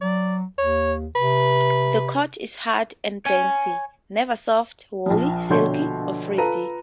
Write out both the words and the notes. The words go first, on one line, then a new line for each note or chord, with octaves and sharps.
The coat is hard and dense, never soft, woolly, silky or frizzy.
F#3 D5
D#2 C#5
C3 B4
C#5 G#5
A#1 F3
A#1 B2 D3 C#5 C6 G6
F4 A4 B4 A#5 D#7